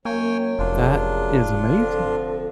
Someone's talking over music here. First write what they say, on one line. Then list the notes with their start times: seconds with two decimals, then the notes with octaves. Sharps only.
That is amazing.
0.05 F#2 F#3 A#3 C#5 G5 G#5
0.59 F1 D4 F4
0.80 G#4
1.76 D3 F3 C4 A4